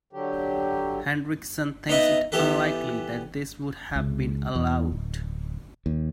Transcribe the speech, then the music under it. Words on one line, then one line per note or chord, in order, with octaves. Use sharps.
Hendriksen thinks it unlikely that this would have been allowed.
D3 F#3 G4
B3 D#4 B4 D#5 E5 F#5
E3 B3 G4 A4 B4
C#2
E2
D1
D#2